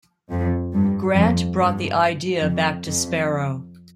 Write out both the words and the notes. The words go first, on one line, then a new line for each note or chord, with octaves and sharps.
Grant brought the idea back to Sparrow.
F2
G2
F2
G2
F2
F2